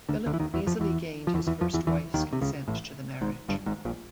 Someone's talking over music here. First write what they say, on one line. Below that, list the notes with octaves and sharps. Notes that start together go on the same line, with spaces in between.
Philip easily gained his first wife's consent to the marriage.
D2 D3
D2 D3
E3
D#2 D#3
E2 E3
F2 F3
E2 E3
F3
E2 E3
E2 E3
F2 F3
E2 E3
E2 E3
D#2 D#3
C3
C#2 C#3
A1 A2
G#1 G#2
G1 G2
G#1 G#2
A#1 A#2